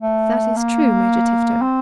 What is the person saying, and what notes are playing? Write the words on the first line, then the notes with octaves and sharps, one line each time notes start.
"That is true, Major Tifto."
A3
A#3
C4